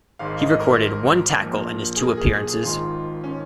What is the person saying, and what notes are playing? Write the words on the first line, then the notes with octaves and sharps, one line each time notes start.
He recorded one tackle in his two appearances.
G#1 G#2 G#3 F5
D#5
A#4
A#1 A#2 F3
G#4
A#4
G#4
G#4
G#4
G#1 G#2 D#3 F4
C#4